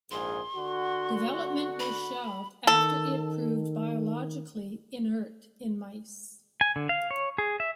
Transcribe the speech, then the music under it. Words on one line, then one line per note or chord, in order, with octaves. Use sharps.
Development was shelved after it proved biologically inert in mice.
A#1 G#2 G#4 C6
D3 F#4
B5
D#3 A4
G#5
D3
F5
C#5
G#4
E5